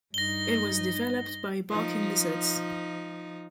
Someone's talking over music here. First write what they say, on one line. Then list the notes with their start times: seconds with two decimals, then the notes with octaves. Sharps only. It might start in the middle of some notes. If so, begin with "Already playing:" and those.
It was developed by Barking Lizards.
0.14 G2 D#4 A#6 G7
1.69 F3 D#4